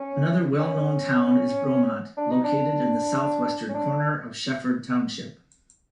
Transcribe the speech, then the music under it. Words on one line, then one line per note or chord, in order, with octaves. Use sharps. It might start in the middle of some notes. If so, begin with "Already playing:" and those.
Another well known town is Bromont, located in the southwestern corner of Shefford Township.
Already playing: C#4
C#4
D4
D#4
D4
C#4
D4